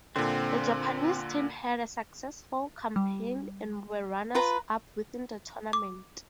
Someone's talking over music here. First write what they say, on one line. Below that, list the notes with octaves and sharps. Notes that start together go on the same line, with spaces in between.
The Japanese teamhad a successful campaign and were runners-up within the tournament.
A#2 D3 C4
G3
F4 B4 A#5
D6